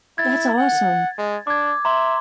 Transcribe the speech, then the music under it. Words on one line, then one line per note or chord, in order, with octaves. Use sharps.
that's awesome.
E4 G#6 A6
F#5
G#3
D4 D6 G#6
E5 A#5 C6